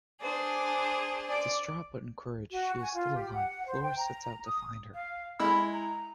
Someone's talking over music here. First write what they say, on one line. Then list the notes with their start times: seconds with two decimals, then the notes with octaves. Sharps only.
Distraught but encouraged she is still alive, Floris sets out to find her.
0.20 D4 G#4 C5
1.28 D5 D6
2.51 F#4
2.80 G#5
2.94 F4
3.15 G4
3.34 F#5
3.66 C5
3.83 G5
3.98 A#5
4.46 D#6
4.94 F5
5.40 G#3 E4 B5 E6
5.73 A#5